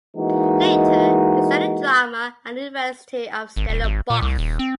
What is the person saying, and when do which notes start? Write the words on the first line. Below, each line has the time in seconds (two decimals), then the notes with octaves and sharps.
Later he studied drama at the University of Stellenbosch.
0.17 E3 G#3 A#3 D#4 F#4
3.57 G#1
3.69 D#1
3.84 G#1
4.10 A#2
4.22 C2
4.38 D#1
4.59 C4